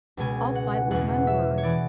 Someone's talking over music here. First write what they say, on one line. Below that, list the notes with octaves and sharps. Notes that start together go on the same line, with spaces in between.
I'll fight with my words,
C#2 B2 G#3 G#5
F#5
E2 B2 G#3 F#5
E5
C#5
E3 G#3 D5